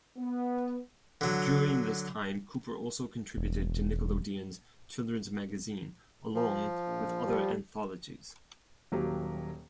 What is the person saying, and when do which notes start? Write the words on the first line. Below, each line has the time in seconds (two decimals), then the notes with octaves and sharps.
During this time, Cooper also contributed to Nickelodeon's children's magazine along with other anthologies.
0.17 B3
1.21 D3 F#3
3.37 E1
6.35 F3
6.87 A#1
7.27 G3
8.92 D#1 F#3 A#3 G4